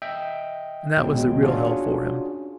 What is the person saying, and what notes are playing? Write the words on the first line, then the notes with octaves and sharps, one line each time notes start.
And that was the real hell for him.
D#5 E5 G5
A#1 D#2 B2 G#3 C#4 G5
C#4 D4 F4 F#4 G#4